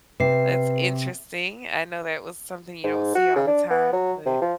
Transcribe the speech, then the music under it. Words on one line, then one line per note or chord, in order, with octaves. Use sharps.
that's interesting. I know that was something you don't see all the time. But,
C3 B4 C7
G#2
F#4
C#3
D4
B3
F#3
C3
F3